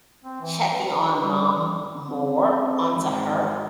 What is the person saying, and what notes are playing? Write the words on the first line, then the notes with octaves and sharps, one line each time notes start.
checking on mom more onto her
C4
E3
B4
G3
C4
G#1